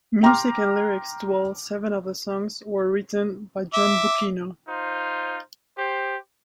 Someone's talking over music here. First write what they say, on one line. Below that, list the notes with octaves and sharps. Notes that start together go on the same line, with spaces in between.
Music and lyrics to all seven of the songs were written by John Bucchino.
G5 A#5 C6 D6 F6
E5 D6
D#4 F4 C5
G4 C5